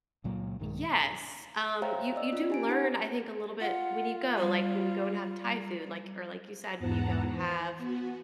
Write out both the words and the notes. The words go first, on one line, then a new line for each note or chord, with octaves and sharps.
Yes, um, you you do learn, I think, a little bit when you go like when you go and have Thai food, like or like you said, when you go and have
C#2 A#2 F#3 A#3
B1 G2 D#3 G#3
C5 C#5 E5 F5 G5 A#5
D5 D#5 E6
C#4 F4
G4 G#5 D7
D#4 G4 C5 F#5
F4 F#5
G3
E2 G#2 B3 F#5 A5 A#5
E3 C5
B3 F#4